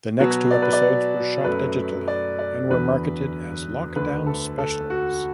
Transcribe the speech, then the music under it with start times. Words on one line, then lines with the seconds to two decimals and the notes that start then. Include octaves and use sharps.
Next two episodes were shot digitally and were marketed as lockdown specials.
0.19 B2 F#3 B3 F#4
0.51 D5
0.62 B4
0.73 D5
1.44 F#2 F#3 A3 B4
2.08 D5
2.39 D5
2.70 E2 D3 F#3 B3 B4
3.96 D2 D3 A3 B4
4.27 A4
4.58 A4
4.90 F#4